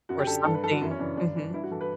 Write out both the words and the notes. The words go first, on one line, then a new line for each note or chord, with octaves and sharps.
or something. Mhm.
F#2 F#4
G4
D3 A4
G2 A4
B4
E3 A4
F#4
F#2 E4
C#4
C#3 E3 D4
G2 D4
E3
G2 E4
F#4
E3 A4
B4